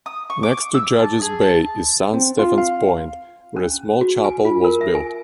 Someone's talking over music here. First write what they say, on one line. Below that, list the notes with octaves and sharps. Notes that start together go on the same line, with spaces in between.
Next to Judges Bay is Saint Stephen's point, where a small chapel was built.
D#6
C#6
D6
E6
A5
G#4
A5
C4
F4
F5
C#4
F#4
G#5
F4
A#4
E5
G#5